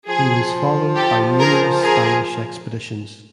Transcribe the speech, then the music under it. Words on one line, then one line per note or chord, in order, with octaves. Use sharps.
He was followed by numerous Spanish expeditions.
F3 G#4
G4 A4
G#4 A#4
G#4 A#4